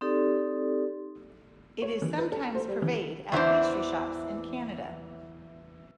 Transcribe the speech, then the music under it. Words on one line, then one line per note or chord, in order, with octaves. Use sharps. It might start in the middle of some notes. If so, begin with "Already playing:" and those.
It is sometimes purveyed at pastry shops in Canada.
C4 D#4 G4 A4 D5
C#5
E3
B4
A4
C5
G3
E3
E2 E3 D4 C5